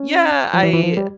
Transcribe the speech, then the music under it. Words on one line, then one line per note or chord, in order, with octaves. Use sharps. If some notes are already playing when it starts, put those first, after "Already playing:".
Yeah, I
Already playing: C#4
F3
E3
E3
F3
G3